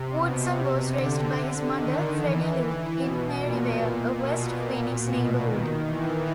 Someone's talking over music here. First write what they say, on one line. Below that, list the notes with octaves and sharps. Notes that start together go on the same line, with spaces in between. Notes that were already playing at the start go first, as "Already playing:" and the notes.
Woodson was raised by his mother, Freddie Luke, in Maryvale, a West Phoenix neighborhood.
Already playing: C3
B2
C3
D3
D#3
E3
B2
A#2
B2
A#2
B2
D#3
E3